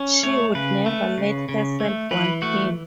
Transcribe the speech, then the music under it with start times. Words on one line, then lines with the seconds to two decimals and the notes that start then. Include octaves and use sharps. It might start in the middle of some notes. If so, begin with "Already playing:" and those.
She would never let herself want him.
Already playing: C#4
0.23 A3 C#5
0.55 C#3 B4
0.86 A3
1.18 C#3
1.49 C#3
1.80 A3
2.11 E3 B4
2.42 A3 F#4